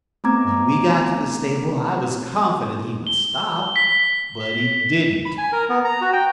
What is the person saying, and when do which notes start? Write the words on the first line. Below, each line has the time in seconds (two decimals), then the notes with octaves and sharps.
When we got to the stable I was confident he would stop, but he didn't.
0.24 A3 B3 C4 A#5 D6 G#6
3.07 G7
3.76 B6
5.26 B5
5.38 G#5
5.52 A#4
5.69 B3
5.85 A#5
6.01 F#4
6.13 G5